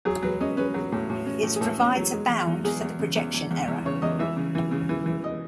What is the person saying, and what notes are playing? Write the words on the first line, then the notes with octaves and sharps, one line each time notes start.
It provides a bound for the projection error.
F#3 G#4
F#3 B4
C#4 D#5
C#4 B4
F#3
A2
A2
C#4
A2
G#4
A2 A4
C#4
F#3
G#3
E2
E2
E2 G#4
E2
C#3
E2
E2
E2
E2
C#3 C#5
E2 D#5
E3 E5
C#3
E3
C#3
E3
E3
D#5